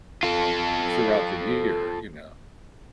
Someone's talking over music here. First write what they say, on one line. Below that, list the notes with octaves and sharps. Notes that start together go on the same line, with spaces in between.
throughout the year, you know?
F4 A4